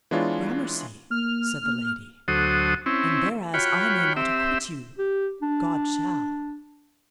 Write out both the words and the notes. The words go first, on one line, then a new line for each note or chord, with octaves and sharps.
Gramercy said the lady, and thereas I may not acquit you, God shall.
E3 G#3 B3 D4 F4 C#5
A#3 F6
A#3
D2 F#3 F#4 A4 C5 D#6
C4 C#4 E4
F4 F#4 C#5 G5 B5
C4 G4 E5
G4
D4